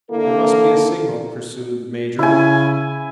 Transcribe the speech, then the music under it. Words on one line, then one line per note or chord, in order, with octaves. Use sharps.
"There must be a signal," pursued the major.
D3 A#3 E4 A4
C#3 E4 G#5